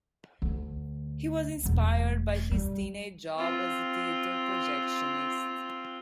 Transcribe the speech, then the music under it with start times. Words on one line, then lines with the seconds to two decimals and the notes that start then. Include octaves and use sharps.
He was inspired by his teenage job as a theater projectionist.
0.42 D2
1.63 E1 A3
2.51 G3
3.36 C4 F4